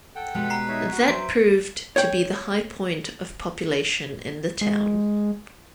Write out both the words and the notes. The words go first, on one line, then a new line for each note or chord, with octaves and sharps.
That proved to be the high point of population in the town.
A4 F#5 G5
B2 G3 G#3 B4
A#5 C7
D#4 C#5 E5
F#4 F#5
F#3 B4 C5 E5 D7
C#5 G5
G#3